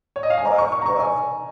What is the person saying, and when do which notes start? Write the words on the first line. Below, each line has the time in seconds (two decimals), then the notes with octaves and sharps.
what I've what I've
0.16 C#5
0.23 D#5
0.30 F5
0.37 G#5
0.45 A#5
0.58 C#6
0.72 C#6
0.82 A#5
0.86 C#6
1.00 G#5